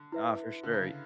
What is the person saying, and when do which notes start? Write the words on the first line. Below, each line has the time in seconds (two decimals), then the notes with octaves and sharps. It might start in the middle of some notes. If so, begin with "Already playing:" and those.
Uh, for sure.
Already playing: D3
0.12 E4 B4 E5
0.63 D3
0.74 C#3